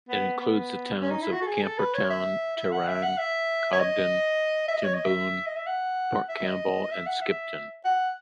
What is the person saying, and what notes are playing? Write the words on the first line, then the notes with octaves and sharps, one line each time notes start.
It includes the towns of Camperdown, Terang, Cobden, Timboon, Port Campbell and Skipton.
B3
B3
C#4
D#4
E4
F#4
A4
G#4
A4
B4
C#5
E5
E5
F#5
E5
F#5
E5
C#5
D#5
E5
D#5
C#5
D#5
E5
D#5
E5
F#5
E5
D#5
D#5
E5
F#5
E5
F#5